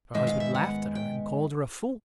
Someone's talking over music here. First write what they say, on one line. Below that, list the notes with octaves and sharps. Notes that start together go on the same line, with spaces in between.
Her husband laughed at her, and called her a fool.
G#2 D#3 G#3 B3 E5
F5
E5
F#5
G5